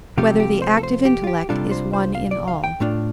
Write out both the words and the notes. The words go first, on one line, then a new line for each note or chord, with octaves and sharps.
Whether the Active Intellect Is One in All?
C3 F3 A3 F4 G4
G4
C5
A4
C5
G4
F4
G4
C2 C3 G3 D4 F4 A4
C5
C5
F5
D5
F5
G5
A2 A3 D4 F4